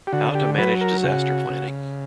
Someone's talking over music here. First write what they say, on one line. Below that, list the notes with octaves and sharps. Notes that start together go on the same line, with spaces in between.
How to manage disaster planning?
G4
D3 F#4
G4
F#3 B4
A#4
C#3 F#4
C#3